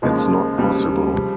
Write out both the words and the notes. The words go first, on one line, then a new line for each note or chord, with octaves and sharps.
It's not possible.
D#2 C#3 F3 G#3
D#2 C#3 F3 G3
C#3 F3